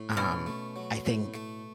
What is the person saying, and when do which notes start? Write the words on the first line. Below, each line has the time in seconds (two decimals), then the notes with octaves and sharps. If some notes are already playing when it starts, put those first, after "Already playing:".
um, I think
Already playing: A2
0.17 B2 C#4
0.46 A3
0.76 F#3
1.06 A2
1.34 A3